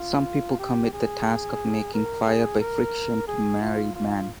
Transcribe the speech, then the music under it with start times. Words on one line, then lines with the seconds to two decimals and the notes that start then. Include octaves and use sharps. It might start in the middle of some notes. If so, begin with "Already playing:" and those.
Some people commit the task of making fire by friction to married men.
Already playing: F4
0.59 G4
0.93 G#4
1.94 A#4
2.27 G#4
2.60 A#4
3.28 G#4
3.62 F4
3.95 F4